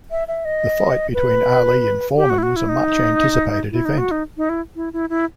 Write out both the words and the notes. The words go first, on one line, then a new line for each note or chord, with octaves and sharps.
The fight between Ali and Foreman was a much-anticipated event.
E5
E5
D#5
B4
G4
F#4
E4
F#4
E4
D#4
E4
D#4
F#4
D#4
D#4
E4
E4
E4
E4